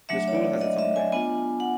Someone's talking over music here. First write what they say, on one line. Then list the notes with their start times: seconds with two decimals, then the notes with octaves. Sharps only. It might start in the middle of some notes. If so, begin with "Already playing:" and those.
The school has its own band.
0.09 F#3 A3 D4 E5
0.28 C#5
0.35 D5
0.61 D#5
0.78 E5
0.96 G#5
1.12 B3 D4 F4 G#5
1.60 F#5